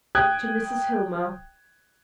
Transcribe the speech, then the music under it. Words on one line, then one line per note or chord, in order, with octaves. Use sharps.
"To Mrs. Hillmer."
G5 D#6 F#6 G#6